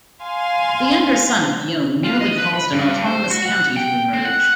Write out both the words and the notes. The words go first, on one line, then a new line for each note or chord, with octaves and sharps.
The younger son of Guillaume nearly caused an autonomous county to emerge.
F5 G#5 C6
F4
D#5
B4
B5
G2
C5
F#4
F#5
G5
C4
F#5